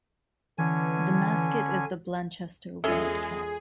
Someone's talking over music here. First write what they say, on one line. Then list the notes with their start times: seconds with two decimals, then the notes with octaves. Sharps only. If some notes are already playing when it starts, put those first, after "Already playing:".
The mascot is the Blanchester Wildcat.
0.58 D3 E3 C#4 G#5
2.84 E2 G#3 C#4 F4 G#4 A4 E5